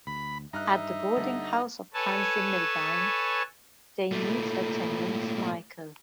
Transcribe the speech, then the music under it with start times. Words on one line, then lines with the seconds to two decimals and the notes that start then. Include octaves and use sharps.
At the boarding house of Pansy Milbank, they meet her tenant Michael.
0.07 D2 B5
0.53 G2 D#4 E5 A#5 F6 F#6
1.17 G2 D3 G3
1.94 A4 B4 C#5 G#5 A5
4.11 A#2 A3